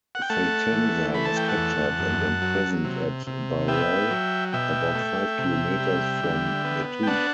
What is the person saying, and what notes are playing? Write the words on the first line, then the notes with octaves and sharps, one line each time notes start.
Fatansa was captured and imprisoned at Barroi, about five kilometers from Metu.
F#5
G5
A3 F#5 A5
E3
A3 B5
A5
G5
F#5 A5
E2
F#2
F#3
C3
C3
B3 E5 G5
F#3
B2 E5 G5
A3
C3
G3
D3
B3
G5
D4 F#5 A5